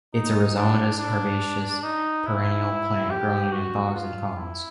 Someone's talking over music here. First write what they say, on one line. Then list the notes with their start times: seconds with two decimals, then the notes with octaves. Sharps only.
It is a rhizomatous herbaceous perennial plant growing in bogs and ponds.
0.14 D#4
0.56 D4
0.98 D4
1.83 D#4
2.26 E4
3.10 G4
3.52 F#4
3.95 F4
4.38 E4